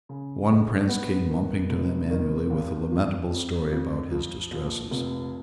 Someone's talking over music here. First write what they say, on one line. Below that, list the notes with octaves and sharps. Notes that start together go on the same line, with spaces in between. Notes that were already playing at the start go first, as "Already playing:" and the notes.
One prince came mumping to them annually with a lamentable story about his distresses.
C#3
G#3
B3
D#3
F1
D#3
G#1
F3
F2
F2
F3
A#1
F1